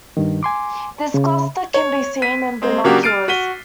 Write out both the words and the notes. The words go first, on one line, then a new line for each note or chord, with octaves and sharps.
This cluster can be seen in binoculars.
G2 D#3
G#5 C6 D6
C#3
C#5
B6 D#7
G#3 C4
C#3 F#3 A#3 D4 F#4 G4
F6 A6 C7 D7 D#7
F#4 B6 D#7 G7